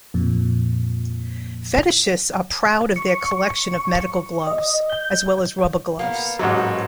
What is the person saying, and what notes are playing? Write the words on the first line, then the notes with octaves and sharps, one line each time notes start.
Fetishists are proud of their collection of medical gloves, as well as rubber gloves.
F2 A#2
C#6
D#5
G6
A#3 B3 A#4
A1 G#2 F#3 D#4 D#5 F#5